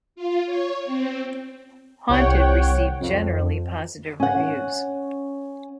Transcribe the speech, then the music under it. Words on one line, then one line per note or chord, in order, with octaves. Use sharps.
"Haunted" received generally positive reviews.
F4
C#5
C4
C2 C#5 F#5 G5
F2
C#4 F#5